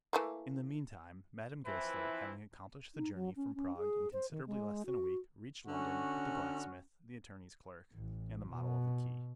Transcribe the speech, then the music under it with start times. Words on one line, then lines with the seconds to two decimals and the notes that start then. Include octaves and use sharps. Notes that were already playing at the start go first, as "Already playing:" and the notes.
In the meantime Madame Goesler, having accomplished the journey from Prague in considerably less than a week, reached London with the blacksmith, the attorney's clerk, and the model of the key.
0.13 E3 A3 A#3
1.67 E3 F3 C4 E4 B4
2.95 D#4
3.14 F#3
3.36 C#4
3.55 C#4
3.77 G#4
4.13 C5
4.31 D#3
4.47 G#3
4.86 F#4
5.67 D3 C#4 F#4
7.94 A1
8.52 B2